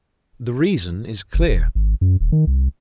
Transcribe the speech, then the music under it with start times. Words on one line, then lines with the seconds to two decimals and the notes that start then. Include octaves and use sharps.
The reason is clear.
1.34 F#1
1.48 D#1
1.75 G#1
2.01 F#2
2.20 D#1
2.32 D#3
2.47 C2